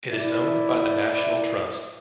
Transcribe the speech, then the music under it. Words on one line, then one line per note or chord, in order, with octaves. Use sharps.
It is owned by the National Trust.
E4 D5